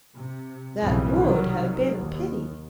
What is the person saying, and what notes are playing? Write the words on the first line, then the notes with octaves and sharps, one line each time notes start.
That would have been a pity.
C3
B1 F2 A2 C#3 E3 G3
C3 D#3 F#3 G3
D#2